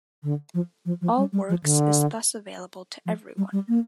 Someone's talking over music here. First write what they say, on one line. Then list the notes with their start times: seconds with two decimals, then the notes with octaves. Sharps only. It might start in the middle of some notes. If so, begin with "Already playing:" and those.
All works is thus available to everyone.
0.23 D3
0.54 F3
0.86 F3
1.02 F3
1.17 G3
1.33 G3
1.49 F3
1.64 D3
3.06 F3
3.37 G3
3.53 G3
3.69 A#3